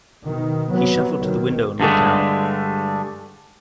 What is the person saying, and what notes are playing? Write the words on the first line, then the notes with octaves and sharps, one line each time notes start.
He shuffled to the window and looked out.
B2 D#3
C3 F#3 B3
B2 D#3 F#3
G2 D3 G#3 A3